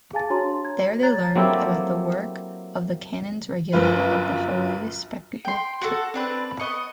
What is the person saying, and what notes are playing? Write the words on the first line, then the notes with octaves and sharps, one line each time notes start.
There they learned about the work of the Canons Regular of the Holy Sepulchre.
G#4 F5 G#5 A5 A6
D4 F#4 C#5 A5 A#5 C6
G#6
C#5 A#5 F#6 A6
F#3 A#3 C4 E4 G4 A4
G1 F#2 F4 B4
G5 C6
F#4 A4
C4 D4 B4
B3 D#5 C#6